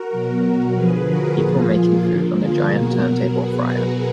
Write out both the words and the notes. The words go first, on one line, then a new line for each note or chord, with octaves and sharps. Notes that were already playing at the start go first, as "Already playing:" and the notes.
People making food on a giant turntable fryer.
Already playing: F#4 A#4
B2 F#3
D3 F3 G#4 B4
F#4 A#4
A#2 F3 F4 G#4
A#3
D3 F3 A#3
F4 G#4
B2 F#3 F#4 A#4
F#4 A#4
B2 F#3 G#4 B4
F#4 A#4